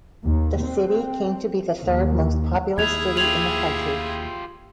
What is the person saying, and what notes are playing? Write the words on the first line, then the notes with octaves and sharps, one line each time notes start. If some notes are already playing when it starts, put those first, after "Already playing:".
The city came to be the third most populous city in the country.
D#2
C4
D#2
D#2 E4 G#4 G#6 F7
F4 G4 G#6 F7 F#7